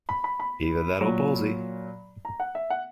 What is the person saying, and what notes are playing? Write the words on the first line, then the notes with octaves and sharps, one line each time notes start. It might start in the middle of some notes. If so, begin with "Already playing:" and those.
Either that or palsy.
B5
B5
B5
A#2 F#3
A#5
F#5
E5
F#5